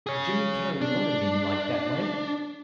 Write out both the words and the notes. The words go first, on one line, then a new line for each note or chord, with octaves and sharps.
"Jimmy carry lot o' men like that way!"
G#4 C#5
D4